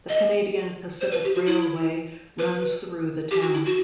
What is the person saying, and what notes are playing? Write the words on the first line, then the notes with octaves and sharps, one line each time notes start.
The Canadian Pacific Railway runs through the town.
D#5
C5
B4
G4
F#4
E4
B4
G4
F#4
E4
F#4